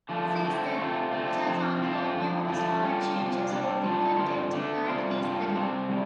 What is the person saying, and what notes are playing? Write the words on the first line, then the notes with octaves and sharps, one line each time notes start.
Since then, it has undergone numerous format changes, both in content and aesthetic.
D3 F3 A3
D3 A3 C4
C3 A3 C4 F4
D3 A3 C4 F4
F2 C3 F3 C4
A2 F3 C4 F4
F2 D3 F3
D3 F3 A3
D3 G3 F4
C3 G3 F4
C3 G3 D4
A2 G3 D4 F4
G2 D3 G3 C4 F4
D3 A3 D4
C3 G3 C4 F4
G2 G3 D4 F4
C3 G3 C4
A2 G3